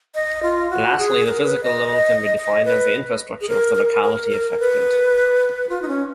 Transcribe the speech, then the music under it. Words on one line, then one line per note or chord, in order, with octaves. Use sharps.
Lastly, the physical level can be defined as the infrastructure of the locality affected.
D#5
F4
F#4
G#4
A#4
B4
D#5
D#5
B4
G#4
A#4
A#4
A#4
A#4
B4
F4
D#4
C#4